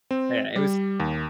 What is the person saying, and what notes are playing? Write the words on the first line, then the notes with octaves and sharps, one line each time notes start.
Yeah, it was
C4
G3
D#2